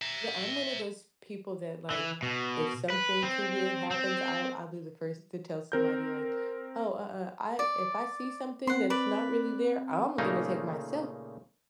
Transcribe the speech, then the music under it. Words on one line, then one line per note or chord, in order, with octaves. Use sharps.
Yeah, I'm one of those people that, like, if something too weird happens, I'll I'll be the first to tell somebody like, oh, uh, uh, I if I see something that's not really there, I'm gonna take myself
E5 A#5
E3
B2
B4
C4
C4
C4 A#4 G6
D5
C4 F#5 C6
B4 D5 B5
A#2 C#3 A3 A#3 D#4